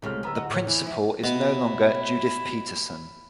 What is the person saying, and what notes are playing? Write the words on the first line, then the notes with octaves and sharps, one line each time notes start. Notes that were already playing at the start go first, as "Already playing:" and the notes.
The principal is no longer Judith Peterson.
C2 C#3 G#3 A3 F6
D1 B3 A#5 E6
F#4 D#5
A2 C#5
E2 E3
F3 E4
B2 E4